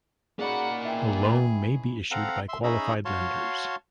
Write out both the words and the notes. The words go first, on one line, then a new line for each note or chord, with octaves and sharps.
The loan may be issued by qualified lenders.
A#3 C#4 D#4 F#4 G#4 D5 F#5 B5
E3 G#4 B4 E5 G5
C4 A4 F5 F#5 A#5
E5 C6
C#4 D#4 G#4 E5 A#5 B5
F#4 C#5 F5 A5 C6